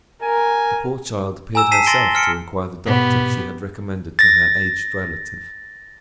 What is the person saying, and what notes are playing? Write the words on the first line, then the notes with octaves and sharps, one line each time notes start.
The poor child appeared herself to require the doctor she had recommended to her aged relative.
A#4 G#5
G#5 A#5 E6 E7
A5 B6 C7 E7
C6 A6 A#6 D7 G7
F6 C#7 D7
G#2 B2 B3 G4
A6 A#6